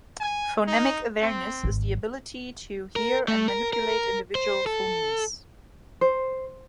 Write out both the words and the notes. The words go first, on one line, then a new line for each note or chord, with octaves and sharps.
Phonemic awareness is the ability to hear and manipulate individual phonemes.
G#5
D#4
C4
G#1
A#4
A3
A#4
A#4
C5
A4
C5